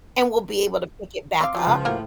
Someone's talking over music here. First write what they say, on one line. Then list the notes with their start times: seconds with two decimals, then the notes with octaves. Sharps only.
and we'll be able to pick it back up.
1.41 C4 F5 C6 D6
1.55 F3 F#3
1.66 C#2
1.85 A2 A#3 F#4 A#4